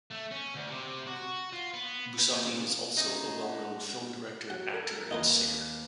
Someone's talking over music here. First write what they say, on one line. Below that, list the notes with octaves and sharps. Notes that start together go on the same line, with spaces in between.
Bussotti is also a well-known film director, actor, and singer.
A3
C#4
D2
C3
F#4
F4
B3
B4
A#2
C#3 D#4
D4 F#5
F#3 F#5
A4 A#4 G#6
D#2 D#4 F4 A#4 B4